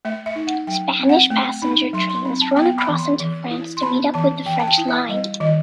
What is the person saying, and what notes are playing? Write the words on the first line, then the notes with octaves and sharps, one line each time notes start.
Spanish passenger trains run across into France to meet up with the French line.
A3 E5
E5
D#4
F#5
F#3 G5
C4
F#5
A3 G5
D#4 B5
F#3 C6
C6
C4 B5
A5
B3 G5
B5
E3
C6
E3
E4
C6
B3 B5
E3 A5
E3 G5
A5
G5
E4
E5
G3 D#5
D#3 D#5